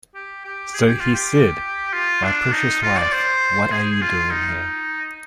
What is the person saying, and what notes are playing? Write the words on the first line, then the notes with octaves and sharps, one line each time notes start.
So he said, "My precious wife, what are you doing here?"
G4
G4
G#4
G4
F4
G4
F4
D4
D#4
F4
D5
C5
G#4
F4
D#4